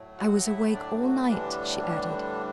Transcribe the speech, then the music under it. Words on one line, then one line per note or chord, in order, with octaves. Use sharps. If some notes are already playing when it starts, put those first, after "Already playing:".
"I was awake all night," she added.
Already playing: A2 F#3 A3
F#4 F#5
E4 E5
D4 D5
F#3 F#4
A2 D3 E3 G3 D4